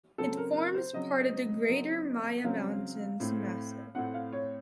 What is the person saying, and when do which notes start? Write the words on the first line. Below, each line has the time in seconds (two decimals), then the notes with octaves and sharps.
It forms part of the greater Maya Mountains massif.
0.18 C#3 F#3 C4 A4
0.37 A#4
0.56 A#4
0.75 C5
0.93 C#3 F#3 C4 D#5
1.69 C#3 F#3 C4
2.44 C#3 F#3 C4 F5
3.20 A2 A3 C4
3.95 A2 A3 C4 F#5
4.14 F5
4.33 C#5